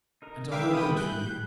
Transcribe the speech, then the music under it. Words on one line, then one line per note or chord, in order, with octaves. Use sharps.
And I will wait for you.
D#4 A#4 A#5
G#3 B4 D5 E5 F5 G5 D6
G3 E5 G5 G#5 B5 D#6
F#6 G6
G3 G#4